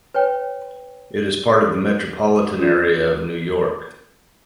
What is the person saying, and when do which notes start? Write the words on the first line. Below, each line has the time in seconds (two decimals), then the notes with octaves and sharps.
It is part of the metropolitan area of New York.
0.14 B4 C#5 G5
2.58 C#4 F4